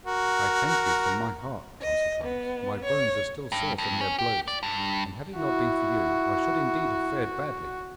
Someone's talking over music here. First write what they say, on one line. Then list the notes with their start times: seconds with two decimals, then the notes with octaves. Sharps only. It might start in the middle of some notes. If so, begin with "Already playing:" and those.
'I thank you from my heart,' answered Hans. 'My bones are still sore from their blows, and had it not been for you I should indeed have fared badly.'
0.06 F#4 A#4
1.81 D#5
2.24 B3
2.84 C#5
3.52 G2
3.78 F2
4.01 C#4
4.18 G4
4.48 D5
4.63 G2
5.37 E4 F#4